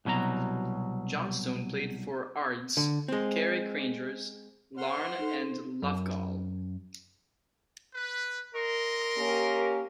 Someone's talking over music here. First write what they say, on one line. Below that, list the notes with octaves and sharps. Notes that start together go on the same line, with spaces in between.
Johnstone played for Ards, Carrick Rangers, Larne and Loughgall.
C2 B2 F#3 A#4 A#5
D3
G#3 C4
C5 F#5 C6 F6
D#4 A4
F#2
B4
A#4 D#5 C6
A#3 C#4 G4